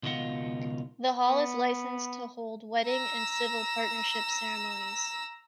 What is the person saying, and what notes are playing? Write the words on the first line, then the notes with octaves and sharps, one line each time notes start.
The Hall is licensed to hold wedding and civil partnership ceremonies.
C#2 B2 D#3 F4 D#5 F#5
B3
A#5 E6